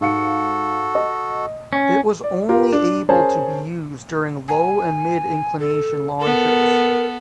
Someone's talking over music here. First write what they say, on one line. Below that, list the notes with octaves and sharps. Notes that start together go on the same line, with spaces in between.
It was only able to be used during low and mid inclination launches.
G#2 F#4 A4 F5 C#7
D#5
C#4
D5
F4 G4 A#4 F5
D4
C#4 G#4 A#4 C5 A5
G#5
A4
B3 A4 A#4